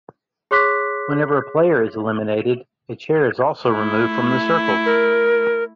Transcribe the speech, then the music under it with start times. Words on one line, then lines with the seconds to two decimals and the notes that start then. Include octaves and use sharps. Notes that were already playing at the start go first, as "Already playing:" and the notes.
Whenever a player is eliminated, a chair is also removed from the circle.
0.51 G#4 C#5 C6 D6 F#6 B6
3.67 A3 E4
4.86 A#4